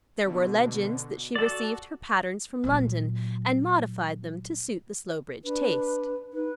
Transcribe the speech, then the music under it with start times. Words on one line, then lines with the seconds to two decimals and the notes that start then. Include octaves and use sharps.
There were legends that she received her patterns from London, and modified them to suit the Slowbridge taste.
0.24 B2 D3
1.36 F#4 A4 D5
2.64 A#2 F#3
5.44 D4 B4
6.33 D#4 B4